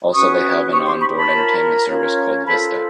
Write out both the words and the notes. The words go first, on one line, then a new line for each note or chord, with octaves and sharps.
Also they have an on board entertainment service called Vista.
C#4 F#4 B4 C#6 D#6
D#4 G4 C5 C#6 D#6
C6 D6
B5 C#6
A5 B5
F4 A#4 C#5
C#4 F4 A#4 C#5
F4 A4 C5 A5 B5